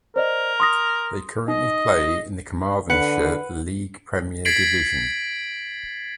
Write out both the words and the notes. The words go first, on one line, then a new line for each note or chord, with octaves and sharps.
They currently play in the Carmarthenshire League Premier Division.
A#4 C5 D5 D#5
C6 D#6 A#6
D#4 D#5
D3 B4 F#5
G#6 A6 B6 C7 D7 F#7